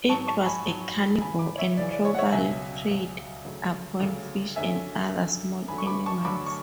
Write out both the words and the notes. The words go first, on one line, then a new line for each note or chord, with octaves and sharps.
It was a carnivore and probably preyed upon fish and other small animals.
G#2 F#3 A5 C#6
A5 C#6
G#5 B5
G#2 F#3
F#2 C#3 E3 G#5 B5
B5 D6
C#5 E5
F#2 C#3 E3 D5
D5
C#5
F#5
C#5 E5
C#2 B2 F#3 E5 G#5
C#2 B2 F#3
D2 C#3 F#3
D2 C#3 F#3
F#2 D3 F#3 E5 G#5
F#2 D3 F#3
D2 D3 F#3 G#5 B5
C#6
B5 D6
A5 C#6
D2 D3 F#3 B5 D6
C#6